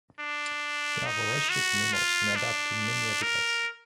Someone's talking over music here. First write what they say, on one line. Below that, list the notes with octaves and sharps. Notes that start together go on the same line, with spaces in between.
They are voracious animals and adapt to many habitats.
D4
D#4
F#4
F4
D4
A#4